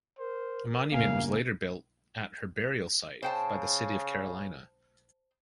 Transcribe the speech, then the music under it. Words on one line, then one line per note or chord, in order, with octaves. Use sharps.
A monument was later built at her burial site by the City of Carolina.
A#4 C5
E2 A#2 C#3 A#3 F5 G#5
C#3 C5 G5 A5